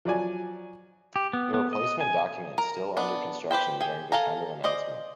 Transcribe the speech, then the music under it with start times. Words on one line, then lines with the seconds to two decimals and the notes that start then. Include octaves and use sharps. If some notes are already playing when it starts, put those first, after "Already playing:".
The replacement document still under construction during the time of announcement.
0.05 F3 F#3 D5 G#5
1.16 G4
1.33 B3
1.54 B3
1.73 D#5
2.01 G#5
2.58 A#4 A#5
2.97 B3 D4
3.51 G4 B4 C5 G5
3.81 G#4 G5
4.12 A4 F5 G#5 A#5
4.64 C5 D5 D#5